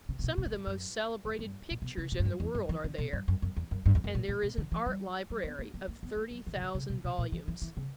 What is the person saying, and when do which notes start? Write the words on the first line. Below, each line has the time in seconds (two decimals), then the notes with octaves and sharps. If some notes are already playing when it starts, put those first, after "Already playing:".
Some of the most celebrated pictures in the world are there, and there is an art library of thirty thousand volumes.
0.09 C#3
0.19 C#3
0.24 B2
0.38 B2
0.46 A#2
0.52 G2
0.67 F#2
1.25 F#2
1.39 G2
1.71 A#2
1.82 B2
1.98 C#3
2.12 B2
2.20 G2
2.25 F#2
2.40 E2
2.55 F#2
2.69 E3
2.84 D3
2.98 B2
3.13 G2
3.28 F#2
3.42 F#2
3.57 E2
3.71 F#2
3.86 G2
3.95 E2
4.04 F#2
4.15 A#2
4.29 A#2
4.43 B2
4.58 D3
4.72 E3
4.86 G3
5.30 G3
5.44 B3
5.59 A#3
5.74 A#3
5.88 A#3
6.03 B3
6.16 A#3
6.31 F#3
6.47 E3
6.55 C#3
6.61 D3
6.75 C#3
6.90 B2
7.04 B2
7.18 A#2
7.32 E3
7.48 E3
7.62 E3
7.77 C#3